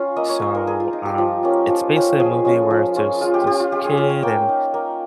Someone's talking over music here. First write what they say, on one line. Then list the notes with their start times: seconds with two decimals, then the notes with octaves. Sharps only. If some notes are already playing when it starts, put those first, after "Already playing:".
So, um, it's basically a movie where there's this kid and
Already playing: C#4 F4 F5
0.16 A#3 D#5
0.29 C#5
0.42 D#4 C5
0.55 A#4
0.67 A#3 G#4
0.80 F4
0.93 D#4
1.05 G4
1.18 F3
1.43 A#3 C#4 F4
1.69 F3
1.95 A#3 C#4 F4
2.20 F3 G#4
2.45 G#3 C#4 F4
2.70 F3
2.96 G#3 C#4 F4
3.21 G#3 F4
3.34 G4
3.47 C#4 F4 G4
3.60 F4
3.72 G#3 G4
3.85 G#4
3.97 C#4 F4
4.10 G#5
4.23 A#3 G5
4.49 D#4
4.74 A#3